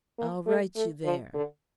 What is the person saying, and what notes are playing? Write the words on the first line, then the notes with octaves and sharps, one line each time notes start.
"I'll write you there."
A#3
A3
A3
F3
D3